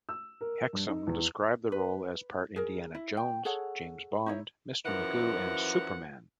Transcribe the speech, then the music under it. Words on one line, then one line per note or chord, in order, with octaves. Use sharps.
Hexum described the role as part Indiana Jones, James Bond, Mr. Magoo, and Superman.
E6
A#4
G2
D#4
E2
B4
G#4 A#4
E4
G5
G#4 A4 C#5 F#5
D#4 E4 C#5
F#2 E3 F3 A#4 F#5